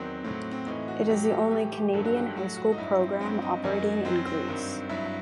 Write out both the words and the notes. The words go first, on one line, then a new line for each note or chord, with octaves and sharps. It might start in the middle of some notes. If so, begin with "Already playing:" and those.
It is the only Canadian high school program operating in Greece.
Already playing: E2 D#3 F#3 C4
A2 F#3 C4
C4
A2 E3 D#4
F#4
A2 F#3 G4
G4
A4
A2 E3 G4
G4
G2 D#3 F#3 A4
F#4
G4
A2 F#3 F#4
F#4
D#4
G2 F#3 E4
C4
G2 F#3 C4
D#4
F#2 D#3 F#3
F#2 F#3 C4
C4
G2 D#3 F#3
G2 F#3 E4